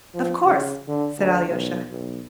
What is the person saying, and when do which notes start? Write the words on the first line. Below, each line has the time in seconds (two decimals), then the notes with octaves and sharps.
"Of course," said Alyosha.
0.14 F3
0.44 C#3
0.88 D3
1.18 D2
1.49 B1
1.91 B1